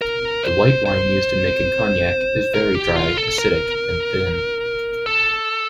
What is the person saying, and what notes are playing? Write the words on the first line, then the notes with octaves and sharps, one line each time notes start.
The white wine used in making cognac is very dry, acidic and thin.
A#4
C5
C5
A#4
G4
F4
A4
A#4
A4